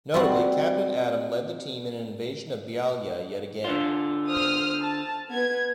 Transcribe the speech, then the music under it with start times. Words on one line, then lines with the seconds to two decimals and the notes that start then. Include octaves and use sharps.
Notably, Captain Atom led the team in an invasion of Bialya yet again.
0.14 G3 C4 F#4
3.64 D3 F4
4.30 C5 D#6 F6
4.83 A5
5.30 B3 G#6